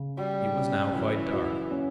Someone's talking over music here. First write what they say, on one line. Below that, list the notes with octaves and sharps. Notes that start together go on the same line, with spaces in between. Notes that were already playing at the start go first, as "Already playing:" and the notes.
It was now quite dark.
Already playing: C#3
G3 F#4
C#4
E3 F#3
F#4
C#4